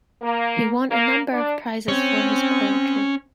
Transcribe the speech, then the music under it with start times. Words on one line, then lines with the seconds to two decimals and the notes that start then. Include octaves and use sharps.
He won a number of prizes for his poetry.
0.22 A#3
0.90 A#3
1.32 D4
1.88 C4 C#4